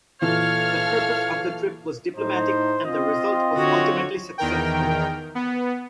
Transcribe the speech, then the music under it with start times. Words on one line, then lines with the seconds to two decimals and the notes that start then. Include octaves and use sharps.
The purpose of the trip was diplomatic and the result was ultimately successful.
0.22 A#2 E3 A4 C#5 F5 F6
2.16 A2 D#4 C5
2.85 C4 F4 D#5
3.54 D3 F#4 C#5
4.38 E2 D#3 A#4 G5
5.35 B3